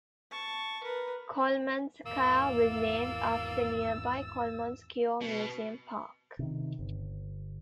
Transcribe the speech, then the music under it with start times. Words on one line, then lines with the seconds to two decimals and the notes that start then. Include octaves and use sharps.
Kolomenskaya was named after the nearby Kolomenskoye museum-park.
0.31 A5 C#6
0.83 A#4 B4
2.06 G#1 E2 A#3 E6 A6
5.21 B2
6.39 C3 D#3
6.79 G1